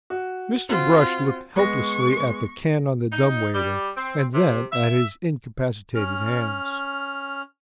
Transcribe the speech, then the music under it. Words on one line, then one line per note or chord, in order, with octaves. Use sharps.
Mr. Brush looked helplessly at the can on the dumb-waiter and then at his incapacitated hands.
F#4
C4 F4 F#4
G#3 B3 C#6 A#6
D#4
G3
C4
C3
E5
C#4 F6